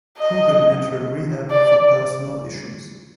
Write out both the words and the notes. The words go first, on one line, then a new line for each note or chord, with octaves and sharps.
Coogan entered rehab for personal issues.
D#5
D5